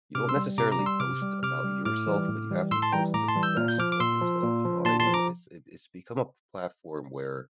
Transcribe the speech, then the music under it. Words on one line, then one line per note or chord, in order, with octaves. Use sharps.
you don't necessarily post about yourself, but you have to post the best of yourself, you know what I mean? It's it's it's become a platform where,
C3 D6 F6
C6 E6
G3
C3 A#5 D6
A#5 D6
G3
C6 E6
C3 D6 F6
G3
C3 D6 F6
G3
A2 D6 F6
E3 G3
A2
E3 G3
A2 C6 E6
A5 C6
E3 G3 G5 A#5
A2 A#5 D6
A5 C6
E3 G3
E6 G6
A#2 F6
G6
F3 D6 F6
D6
A#2 C6 E6
F3
A#2
F3
A#2 A5 C6
A5 C6
F3
A#5 D6